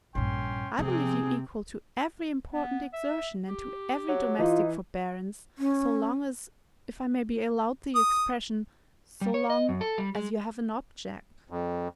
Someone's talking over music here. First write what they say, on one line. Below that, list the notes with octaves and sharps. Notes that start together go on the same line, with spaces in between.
I believe you equal to every important exertion, and to every domestic forbearance, so long as--if I may be allowed the expression--so long as you have an object.
A#1 G2 C#4 G5 C6
C3 F3 C4 G#4
B3
E5
G4
F#3
E3 D#4 F4
C#4
D#6
G3
C#5
D#5
F#2
A4
G3
G#3
F2